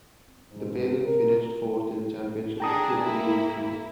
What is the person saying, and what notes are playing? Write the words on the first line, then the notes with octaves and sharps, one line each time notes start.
The pairing finished fourth in the championship with three victories.
G#2
A#4
D4 G#4 G5 A5 A#5 D#6
A#3 E4